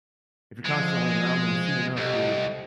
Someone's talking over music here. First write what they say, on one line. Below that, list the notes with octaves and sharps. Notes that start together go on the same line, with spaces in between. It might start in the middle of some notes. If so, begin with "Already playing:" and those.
if you're constantly around them, soon enough you'll
F3 G#3
C2 G4 A4 D#5